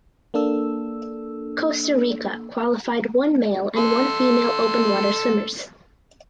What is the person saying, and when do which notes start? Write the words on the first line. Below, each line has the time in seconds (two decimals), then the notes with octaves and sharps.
Costa Rica qualified one male and one female open water swimmers.
0.34 A#3 D4 A4 E6
3.77 A4 C6